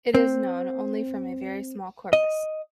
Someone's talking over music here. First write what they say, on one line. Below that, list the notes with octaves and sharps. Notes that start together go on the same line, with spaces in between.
It is known only from a very small corpus.
C4
D#5